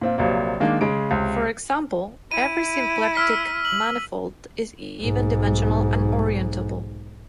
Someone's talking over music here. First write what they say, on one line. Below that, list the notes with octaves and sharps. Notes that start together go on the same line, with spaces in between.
For example, every symplectic manifold is even-dimensional and orientable.
A#2 C4 F4
A#1 C3 F#3 A#3
D#3 G#3 A#3 D4
C#3 G#3 D7
C#2 C3
E4 D#7
E6 F6 B6
F#7
B1 G#2